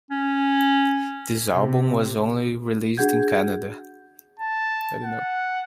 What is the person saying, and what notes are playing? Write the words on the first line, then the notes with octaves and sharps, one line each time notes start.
This album was only released in Canada.
C#4
C3
D4 F#4 G#4 F#5 G6 G#6
A5
F#5